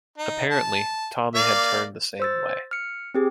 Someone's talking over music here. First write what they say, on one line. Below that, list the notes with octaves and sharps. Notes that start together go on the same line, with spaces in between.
Apparently Tommy had turned the same way.
D#4
A5
A#3 D5 F5
C5 E6 A6
F6 C#7
C4 G4 G#4